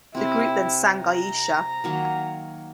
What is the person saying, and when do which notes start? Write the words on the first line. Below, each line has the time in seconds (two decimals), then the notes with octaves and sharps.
The group then sang "Iesha".
0.15 C3 C4 E4
1.02 A#5
1.84 D#3 F#3 A#3